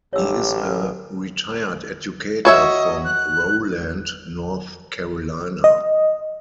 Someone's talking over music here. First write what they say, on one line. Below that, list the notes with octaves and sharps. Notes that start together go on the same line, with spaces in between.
He is a retired educator from Rowland, North Carolina.
A1 G4 C#5 E6
F#4 C#5 D#5 E5
F#6
D#5